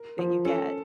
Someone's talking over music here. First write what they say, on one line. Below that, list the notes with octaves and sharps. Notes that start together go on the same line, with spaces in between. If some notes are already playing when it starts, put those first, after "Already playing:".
that you get.
Already playing: A#4
F3
C#4 A4